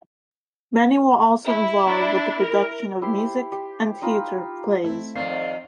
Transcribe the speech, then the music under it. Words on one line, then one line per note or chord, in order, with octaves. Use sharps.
Many were also involved with the production of music and theatre plays.
E4
D4
A#4
E4 G4 C5 C6
G4
D#4 F4 B5
A3 C4 E4
F2 D#3 C4 D5 F5 C7